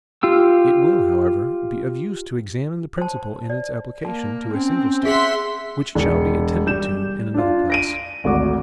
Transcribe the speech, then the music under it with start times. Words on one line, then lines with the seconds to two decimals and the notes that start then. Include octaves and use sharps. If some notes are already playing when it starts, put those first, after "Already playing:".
It will, however, be of use to examine the principle in its application to a single State, which shall be attended to in another place.
0.23 F4 G4 E6
2.98 C5 A5
3.50 D5
4.05 A#3 A5
4.53 C4 C#4
5.05 G#4 E5 F#5 C6 B6
5.95 E1 C#7
6.66 G3 G6 E7
7.34 D4 F4
7.70 A#6 D7 D#7
8.24 G#1 D2 F#4 D6